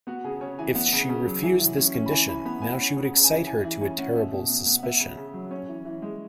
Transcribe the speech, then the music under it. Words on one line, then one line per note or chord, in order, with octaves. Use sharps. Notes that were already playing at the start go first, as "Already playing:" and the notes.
If she refused this condition now she would excite her to a terrible suspicion.
B3 F#4
C#3 G#4
C#3 C#5
E3 G#5
B3 F#5
C#3
C#3
F#3
E3 G#5
E3
C#4
C#4
B5
E3 G#5
E3 B5
B3 B5
B3 G#5
C#4
C#3 F#5
C#3
G#5
E3
E3 G#5
E3
C#4 G#5
C#4 F#5
B2 E5
B2
B3
B3
F#5
B3 E5
C#3
C#3
F#3
C#4 C#5
E3
E3
G#3